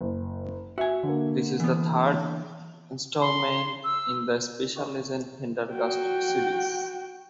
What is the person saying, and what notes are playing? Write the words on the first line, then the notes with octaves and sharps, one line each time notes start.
This is the third installment in the Special Agent Pendergast series.
F#1
F#4 E5 G#5
D3 A#3
E3 B3
C6
E6
F#4 G5